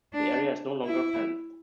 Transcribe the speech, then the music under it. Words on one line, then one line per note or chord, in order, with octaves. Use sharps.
The area is no longer fenced.
D4
E4